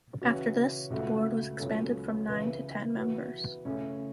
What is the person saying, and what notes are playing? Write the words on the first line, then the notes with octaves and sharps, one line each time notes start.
After this the board was expanded from nine to ten members.
C#3 E3 C#4 F#4
C#2 C#3 A3 F#4
C#2 B2 F#3 C#4 A4
C#3 E3 B3
E3 B3 F#4
C#3 A3 C#4 E4